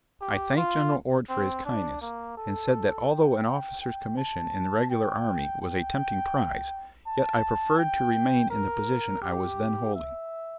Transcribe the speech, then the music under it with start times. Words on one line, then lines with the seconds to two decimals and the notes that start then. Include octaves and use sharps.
I thanked General Ord for his kindness, and said that although an officer's commission in the regular army was a tempting prize, yet I preferred to remain in the position I was then holding.
0.21 G4
0.57 F4
1.29 C4
1.65 D4
2.02 A#3
2.37 A4
3.09 G5
3.81 G5
4.17 A5
4.90 G5
5.61 G5
7.06 A5
7.78 G5
8.50 A#4
9.22 G4
9.95 E5